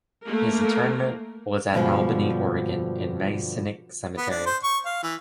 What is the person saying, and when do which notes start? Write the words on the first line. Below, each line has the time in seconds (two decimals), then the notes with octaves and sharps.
His interment was at Albany, Oregon in the Masonic Cemetery.
0.23 A3 A#3 A#4
1.74 G2 B2 D3 E3 F3 G#3
4.18 B3
4.30 D4
4.46 C5
4.63 C#6
4.85 F5
5.03 E3